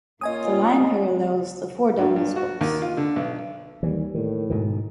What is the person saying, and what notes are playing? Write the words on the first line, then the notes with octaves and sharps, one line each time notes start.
The line parallels the "For Dummies" books.
A#3 C#4 F4 D#5 G#5 D#6
G2
G2
F#4
D#2
F4
D3
B1
D#2 E3 F3 G3
A2 D#3
G#2 B2 D#3